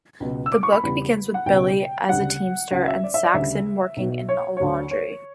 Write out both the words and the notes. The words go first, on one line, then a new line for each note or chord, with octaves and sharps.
The book begins with Billy as a Teamster and Saxon working in a laundry.
C#2 B2 F#3
E6
D6
C#6
B5
E2 C#3 G3 B5
F#5
C#2 B2 G3 G5
D2 C#3 G3 F#5
C#2 C#3 F#3 F#5
E5
D5
E5
D5
D2 C#3 G3 E5
B1 B2 F#3
C#5
D2 D3 F#3 C#5
C#5